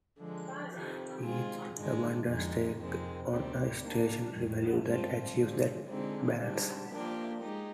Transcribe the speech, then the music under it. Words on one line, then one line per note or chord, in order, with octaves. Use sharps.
Each abundance takes on a stationary value that achieves that balance.
D3 F3 G#3
F2 C3 D#3
D#3 G#3 C4 F4 G#4
G#2 D#3 G#3 D4
F2 D3 G#3 D#4
F2 C3 D#3 G#3 C4
D2 C3 D#3 G3 C4
D#3 A#3 D4
F2 D#3 G#3
G2 F3 G#3 C4 F4
D3 F3 G#3
F2 D3 G#3 C4 D#4
G#2 G3 D4
A#2 F3 A#3 D4 G4
G#3 D#4 G4